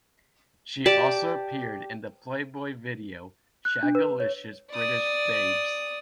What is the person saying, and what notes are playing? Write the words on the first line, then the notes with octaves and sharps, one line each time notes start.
She also appeared in the "Playboy" video "Shagalicious British Babes".
G4 D5 A5
F#6
D4
B4
C#5
D5 D#6